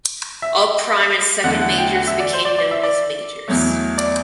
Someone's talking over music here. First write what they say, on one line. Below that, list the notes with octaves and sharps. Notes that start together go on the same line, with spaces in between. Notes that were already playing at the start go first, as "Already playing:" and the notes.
All prime and second majors became known as majors.
E5
E2 D3 F#3 A3 F#5
F#5
G5
F#5
E5
D5
C5
D5
D5
E5
D5
E2 B2 F#3 A3
D5